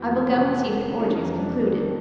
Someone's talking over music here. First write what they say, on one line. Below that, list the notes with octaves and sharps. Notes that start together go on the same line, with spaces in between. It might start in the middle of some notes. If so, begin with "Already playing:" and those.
I will go and see if the orgy is concluded.
Already playing: F2 B3 E4 F#4
E3
C3
A#3
D3
C#4 D#4
F2
B3 D4
D#3 D4